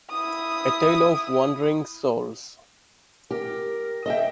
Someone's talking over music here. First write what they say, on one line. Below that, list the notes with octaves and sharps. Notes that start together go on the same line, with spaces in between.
A Tale of Wandering Souls.
E4 D#6
G4 A#4
D#5 E5 G5